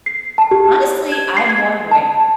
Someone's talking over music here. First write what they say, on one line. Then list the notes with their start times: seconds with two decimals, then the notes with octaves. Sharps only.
honestly, I'm wondering
0.06 C7
0.38 A5
0.51 G4
1.12 G#6
1.37 C7
1.49 G#6
1.91 A5